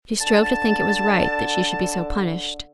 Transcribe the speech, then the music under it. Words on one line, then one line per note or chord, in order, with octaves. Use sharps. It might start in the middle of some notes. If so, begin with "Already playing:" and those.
She strove to think it was right that she should be so punished.
D3 A5 A6